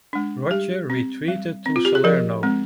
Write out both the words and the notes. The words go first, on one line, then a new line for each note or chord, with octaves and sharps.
Roger retreated to Salerno.
G#3 D4
G3 G4
C4
G3
C4
F4
G4
G#4
F3 A#4
G#3 C4